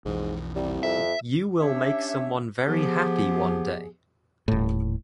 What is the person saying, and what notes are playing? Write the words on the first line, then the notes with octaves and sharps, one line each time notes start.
You will make someone very happy one day.
B1 F2 G#2 E3
C2 G3
F2 E5
C#4 D4 G4 C#5 E5
F3 B3 G4 G#4
D#1 A2